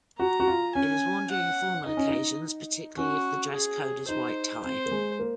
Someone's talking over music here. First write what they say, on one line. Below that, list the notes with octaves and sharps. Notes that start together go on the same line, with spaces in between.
It is worn during formal occasions, particularly if the dress code is white tie.
F#4 A#5
F#4
F4
C#4 G#5
F#5
D#4 D#5
C#4
D#4
C#4 F#4
G#4
D#4 C5
C4 C5
A#3
G#3
A#3